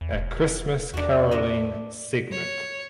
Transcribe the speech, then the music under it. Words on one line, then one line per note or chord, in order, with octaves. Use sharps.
A Christmas Caroling segment.
E2
E1
E2 D4 F#4
D4 D#5
C#5